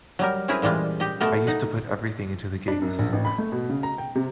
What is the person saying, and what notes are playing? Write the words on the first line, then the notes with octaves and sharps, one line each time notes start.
I used to put everything into the gigs.
F#3 G3 A#4
C4 C#4 E4 G#4 A#4 B4
A#2 E3 G3 G#3 F4
G4 D#5
B2 A3 B3 A4 A#4
D#4 F#5
D4
F#2
A#1
A1
B5
A3
B2
C#3
A#5
G5
C3